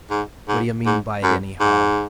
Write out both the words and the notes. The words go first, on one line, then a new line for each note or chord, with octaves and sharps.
What d'you mean by it, anyhow?
G#2
G#2
G#2
F#2
G#2